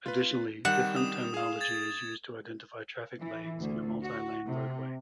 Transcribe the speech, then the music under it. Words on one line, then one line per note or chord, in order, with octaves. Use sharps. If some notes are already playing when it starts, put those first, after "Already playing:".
Additionally, different terminology is used to identify traffic lanes in a multi-lane roadway.
F4 B4
D#3 G3 F#5 E7
D#6
G#4 F5
G#6 A6
E3
D2
F#4
C3